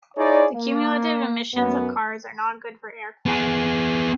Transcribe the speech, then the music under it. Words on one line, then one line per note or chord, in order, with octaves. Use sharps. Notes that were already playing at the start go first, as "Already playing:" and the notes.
The cumulative emissions of cars are not good for air quality.
D#4 E4 G#4 C#5 D5
A#3
F#2 B3
B3 G#4